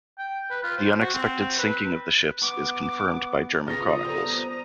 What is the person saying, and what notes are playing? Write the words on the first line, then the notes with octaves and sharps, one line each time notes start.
The unexpected sinking of the ships is confirmed by German chronicles.
G5
B4
F4
C5
F#4
C4
B4
B3 D6
C#3 B3 C#4 F4 A#5 D#6 A#6
F3 G3 B3 C4 A4 C5